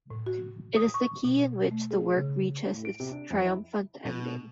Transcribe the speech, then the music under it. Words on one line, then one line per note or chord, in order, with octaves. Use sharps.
It is the key in which the work reaches its triumphant ending.
A2
F#4
D#6
C#6
B2
A3
G#4
C#3
A2
D7
C3
D4
F2
E4
B2